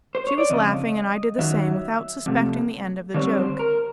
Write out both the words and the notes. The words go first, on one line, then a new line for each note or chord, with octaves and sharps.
She was laughing; and I did the same without suspecting the end of the joke.
C5
C#5
D5
F2 C#3 D#5
F#2 D#3 F#3 E5
F2 C3 A3
D3 G3 C4 C#5
C5
A#4